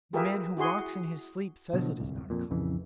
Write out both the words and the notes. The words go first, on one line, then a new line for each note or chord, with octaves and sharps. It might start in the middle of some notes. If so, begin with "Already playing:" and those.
The man who walks in his sleep says it is not a club.
F4 G4 G#4 A#4 B4 E5
E4 F#4 G#4 C6
B2 D3 F3 F#3
D1 C2
F2 A#2
A#1 F2 C#3 E3